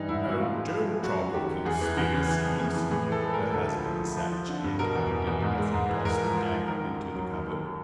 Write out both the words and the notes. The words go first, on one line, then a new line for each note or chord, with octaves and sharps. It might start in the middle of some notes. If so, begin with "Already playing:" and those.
"Oh, don't talk of Conspiracies!" her husband savagely interrupted, as he tossed the dagger into the cupboard.
Already playing: G2 E3 G3 D#4
G#2 E4
E3 F#4
A2 F4
G#3
F3
G#3
F#3 F#4
F#2
D#3 G4
F#2
E2 G#4
E3
E2
C#3
E3
F2
E3
E3
A2 G#4
E3
A4
G#3
A4
A2 A#4
D2 A4
F3
F3
F3
F3
F3
D3
G2
B2 A#4
E2
E2
E2
G#2
G#3
G#2
E3
G#2 A#4
F3
F3
G#2
D#3 A#4
F#2
F#2
F#3
D#2
D#2